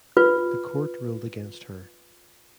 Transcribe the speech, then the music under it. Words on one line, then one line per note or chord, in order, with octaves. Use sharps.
The court ruled against her.
F4 B4